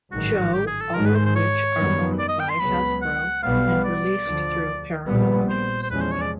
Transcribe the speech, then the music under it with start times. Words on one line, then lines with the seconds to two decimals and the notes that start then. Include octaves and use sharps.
Joe all of which are owned by Hasbro and released through Paramount.
0.12 A1 G#2 D#3 F#3 F#4
0.54 G4
0.67 G#4
0.81 A4
0.94 G#2 D#3 G#3 A#4
1.06 B4
1.15 C5
1.25 C5
1.36 C#5
1.77 F#2 D#3 G3 B3
2.19 D5
2.29 D#5
2.40 G5
2.50 C6
2.60 C#2 C#3 F#3 B3 B5
3.02 F#5
3.43 B1 B2 G3 B3 F5
3.84 D5
4.26 D2 D3 F3
5.08 A#1 A#2 G3 B3
5.49 C5
5.82 C5
5.91 E2 C3 F3 G#3 C#4 B4
6.02 C5
6.11 C#5
6.21 D5